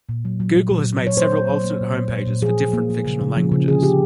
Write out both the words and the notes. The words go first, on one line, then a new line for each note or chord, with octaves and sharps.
Google has made several alternate homepages for different fictional languages.
A#2
F#3
F#3
A#2
A#2
A#2
F#3 C#5
A#3 C5
A#2
F#3
A#3
A#2
A#2
A#2
A#2
F3 G#4
A#3
A#3
A#3
C#3
C#3
F3
C#3
D3 G#4
D3 G4